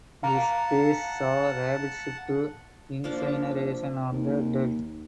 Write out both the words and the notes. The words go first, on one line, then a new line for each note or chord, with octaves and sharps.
This phase saw rapid shift to incineration of the dead.
F5 F#5 A5 A#5
F3 A#3 D4 D5
D#2